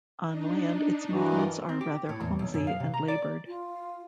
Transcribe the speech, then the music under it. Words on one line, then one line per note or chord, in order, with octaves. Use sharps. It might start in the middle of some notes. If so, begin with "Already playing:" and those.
On land its movements are rather clumsy and laboured.
D4 D#4
G2 E3 F#3 A#4 D5 D#5
C4
G4
A2
E2
B1
F#2
F5
C3
A#5
D5
F4